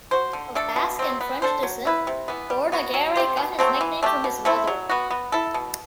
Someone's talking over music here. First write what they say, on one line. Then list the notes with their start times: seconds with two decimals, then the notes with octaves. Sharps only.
Of Basque and French descent, Bordagaray got his nickname from his mother.
0.11 F#4 C5
0.33 D3
0.55 A3 D4 A4
0.76 B2
0.99 F#3 C4
1.21 B3
1.42 D4 A4 C5
1.63 F#3
1.85 A3 E4 B4
2.07 C3
2.28 E3 B3
2.50 G3
2.72 B3 F#4
2.94 F#3
3.16 C4 G4 C5
3.37 B2
3.59 F#3 A3 C4
3.81 E3
4.03 A3 D4 G4
4.24 B2
4.45 A3 C4 E4
4.67 F#3
4.89 B3 F#4
5.11 B3
5.32 E4 A4
5.54 B2